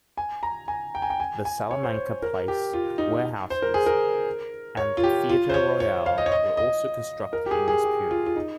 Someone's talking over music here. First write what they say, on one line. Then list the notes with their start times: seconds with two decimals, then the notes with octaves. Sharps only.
The Salamanca Place warehouses and the Theatre Royal were also constructed in this period.
0.17 G#5
0.43 A#5
0.68 G#5
0.95 G5
1.02 G#5
1.10 G5
1.20 G#5
1.45 G#5
1.71 C#5
1.83 C5
1.94 C#5
2.23 A#4
2.48 G4
2.73 F4
2.98 D#4
3.50 C5
3.62 A#4
3.74 G#4
3.86 A#4
4.77 C#5
4.97 F4
5.04 G4
5.29 F4
5.50 C5
5.54 C#5
5.80 C#5
6.06 F5
6.18 D#5
6.26 C#5
6.32 D#5
6.57 D#5
7.33 A#4
7.46 G4
7.51 G#4
7.68 G#4
7.84 G4
8.11 F4
8.26 F4
8.36 D#4